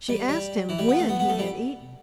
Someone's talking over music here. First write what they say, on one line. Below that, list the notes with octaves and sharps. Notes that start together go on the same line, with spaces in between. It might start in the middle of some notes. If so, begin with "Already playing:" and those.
She asked him when he had eaten.
G3
G3
E3
G3
B3
A3
B3
B3
A3
G3